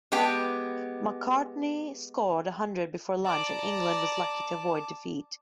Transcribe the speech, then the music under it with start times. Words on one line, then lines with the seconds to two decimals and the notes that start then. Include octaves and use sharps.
Macartney scored a hundred before lunch and England was lucky to avoid defeat.
0.12 G#3 B3 G4 G5
3.24 D5 A5 A#5 D6